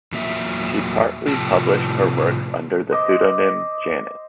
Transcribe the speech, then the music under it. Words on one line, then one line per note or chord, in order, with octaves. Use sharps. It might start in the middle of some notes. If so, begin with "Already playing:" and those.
She partly published her works under the pseudonym "Janus".
E2 A#2 F#3 E5
A2 C3 F3 A5
C5 D#5 D6